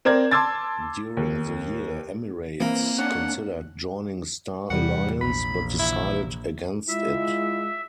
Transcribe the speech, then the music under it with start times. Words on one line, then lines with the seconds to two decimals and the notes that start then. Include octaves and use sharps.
During the year, Emirates considered joining Star Alliance, but decided against it.
0.05 C4 A#4 D5 G#6
0.31 A5 C6 D6 E6 G#6 A6
1.17 D#2
2.60 E3 A#3 C4
2.99 C#4 D4 F#5
4.70 E2 C3 E3 G3 F#5
5.21 A#1 B5
5.79 E4
6.88 G#3 E4 F4 E5